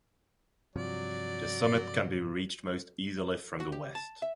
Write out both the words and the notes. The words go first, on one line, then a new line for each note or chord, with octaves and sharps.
The summit can be reached most easily from the west.
G2 C3 F3 F#3 D5
F#4
G4
A5
E5